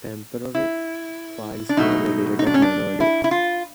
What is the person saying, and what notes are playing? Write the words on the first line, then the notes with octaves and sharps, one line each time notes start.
Temporary files may be deleted manually.
E4
D4
B2 F#3 A3 D#4
D#4
D4
C#4
D4
E4
E4
F4